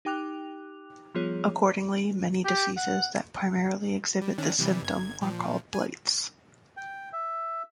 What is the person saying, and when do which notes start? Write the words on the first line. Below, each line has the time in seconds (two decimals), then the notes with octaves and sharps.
Accordingly, many diseases that primarily exhibit this symptom are called blights.
0.05 D#4 G4 G5 D6 F#6 F7
1.15 F3 G3 B3 F4 G#4 C#5
2.45 G4
2.77 F#5
4.22 G3
4.38 D#3 C#4 D4
4.59 C3 E3 G3
4.82 G1 G#6
5.21 A#2 F3
5.74 G#5
6.77 G5
7.13 E5